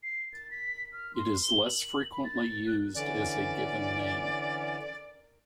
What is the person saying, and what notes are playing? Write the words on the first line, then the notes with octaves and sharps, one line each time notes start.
It is less frequently used as a given name.
C7
A6
B6
F6
C6
G7
F#7
B5
A6
F#6
D3 E3 C#4 D5